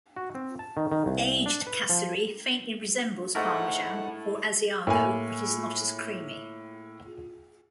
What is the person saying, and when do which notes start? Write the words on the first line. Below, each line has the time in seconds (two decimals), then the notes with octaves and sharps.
Aged kasseri faintly resembles Parmesan or Asiago but is not as creamy.
0.16 F#4
0.35 C4
0.59 A5
0.77 D#3
0.92 D#3
1.06 C2
1.46 D4
1.67 B4
1.89 F3
3.35 G#2 A3 E4 A4 A#4 F#5
4.87 A2 A#3 G#5